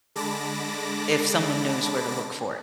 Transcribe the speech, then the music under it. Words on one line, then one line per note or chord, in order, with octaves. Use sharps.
if someone knows where to look for it,
D3 G#3 A5 B5 D6 A#6